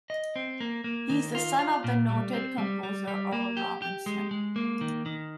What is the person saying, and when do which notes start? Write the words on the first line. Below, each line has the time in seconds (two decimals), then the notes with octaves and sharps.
He is the son of the noted composer Earl Robinson.
0.10 D#5
0.36 C4
0.60 A#3
0.84 A#3
1.10 D#3
1.35 F4
1.59 F4
1.84 A#2
2.09 G3
2.33 C4
2.58 G3
2.83 G3
3.08 G3
3.32 A#3
3.57 G4
3.82 G4
4.06 G#3
4.31 G#3
4.56 A#3
4.81 D#3
5.06 D#3